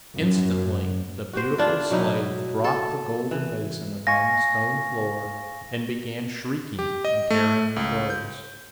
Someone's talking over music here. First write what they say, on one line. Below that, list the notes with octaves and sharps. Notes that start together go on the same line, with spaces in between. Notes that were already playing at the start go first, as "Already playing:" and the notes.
Instantly the beautiful slave dropped the golden basin upon the stone floor, and began shrieking and tearing her clothes.
F#2
F#4 G4 C5
D4 E4 F4
B2 F#3 D#4 E4
A4
E3
F5 G#5 C#6 A#6
G4
D#5
A3
C#2
G6